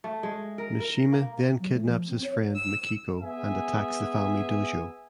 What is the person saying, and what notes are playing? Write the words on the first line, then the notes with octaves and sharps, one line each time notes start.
Mishima then kidnaps his friend Mikiko and attacks the family dojo.
A3
G#3
A#4
A#4
A#3
F#3
A3
F3
C4
C#5
E6
B3 G#4 E5 G#5